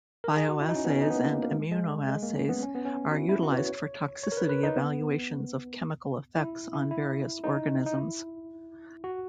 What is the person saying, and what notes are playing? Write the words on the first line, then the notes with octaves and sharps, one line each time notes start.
Bioassays and immunoassays are utilized for toxicity evaluations of chemical effects on various organisms.
A#4
G#4
F#4
E4
D#4
C#4
B3
C#4
D#4
B3
A#3
A#3
A#3
G#3
G#3
G#3
A#3
C#4
B3
C#4
B3
C#4
F#4
E4
E4
F#4
B4
C#5
C#5
A#4
B4
B4
D#4
B3
E4
E4
E4
D#4
D#4
E4
F#4